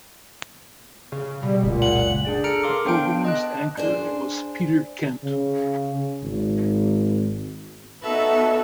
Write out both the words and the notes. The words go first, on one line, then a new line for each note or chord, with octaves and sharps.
The program's anchor was Peter Kent.
C#3
B2 G3
F#1 C#2 A#2
F#5 F#7
D4 G#4 D5
G#4 A4 A#5 F6 C#7 D7
A#4 F5 C6 D6
B3 D4 C5 G5 C6 D7
D#5 A5 F#6
D4 G#4 C5
C#3
G#1
B3 D#4 F#4 A4 B4 E5